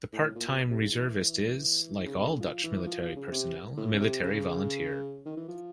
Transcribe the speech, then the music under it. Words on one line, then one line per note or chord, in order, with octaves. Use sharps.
The part-time reservist is, like all Dutch military personnel, a military volunteer.
A2
A2
A#2
B2
C3
C#3
E3
D#3
C#3
C3
D3
F3
E3
F3
F3
C#3
C3
A2
C#3
C3
C#3
D#3
E3
F3